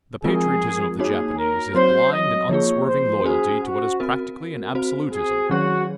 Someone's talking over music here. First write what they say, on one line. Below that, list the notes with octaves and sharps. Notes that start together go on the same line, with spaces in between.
The patriotism of the Japanese is blind and unswerving loyalty to what is practically an absolutism.
F3 G#3 C4 F4 G#4 A#4
A#3 D#4 F#4 G#4 C#5
A#4
F#3 C4 F#4 C5 C#5
D#5
F3 A#3 F4 G#4 C#5
C5
C#4 F#4 G#4 C5
F#4
C4 F#4 A#4
C4 F#4 C5
G#4
D#3 F#3 C#4 F#4 G#4 C#5